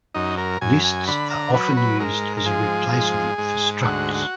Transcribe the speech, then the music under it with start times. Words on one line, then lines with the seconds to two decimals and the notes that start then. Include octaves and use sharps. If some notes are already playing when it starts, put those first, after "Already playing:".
Lists are often used as a replacement for structs.
0.14 F#2 D#4
0.38 A#4
0.61 F#2 G#5
0.84 G#5
1.07 D3 B5
1.30 A#5
1.54 F#3 B4
1.77 B4
2.00 G#2 A#4
2.37 A#4
2.46 F3 G#4
2.93 G#2
3.38 G#2
3.85 D2 F#4
4.15 F#4